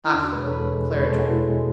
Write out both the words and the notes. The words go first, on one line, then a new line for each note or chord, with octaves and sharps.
"Ah!" Clara drooped.
E4
E2 D4
F#4
B2 G#3 B4
A4 C#5
E2 B4
B2 G#3
E2 C#5
B4
B2 G#3 A4
F#4
E2 E4
B2 G#3